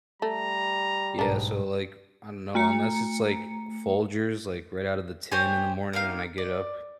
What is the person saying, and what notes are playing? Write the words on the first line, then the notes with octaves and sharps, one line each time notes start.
Yeah, so, like, I don't know, unless it's, like, Folgers, like, right out of the tin in the morning when I get up,
G3 A3 A#5
B1 G#2 D4 A#4
A3 A#5 C#7
G4 C5 C#5 G#5
A#3 C4 D#4 F5
D5